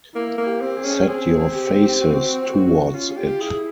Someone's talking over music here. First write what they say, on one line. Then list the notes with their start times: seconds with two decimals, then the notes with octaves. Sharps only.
Set your faces towards it.
0.15 A#3 E4
0.38 A#3
0.46 G4
0.61 C4
0.77 G#4
0.85 C#4
1.08 C4 G#4
1.54 G4
2.01 F#4
2.48 F#4
2.93 C#4 F4
3.17 G4
3.40 E4 G#4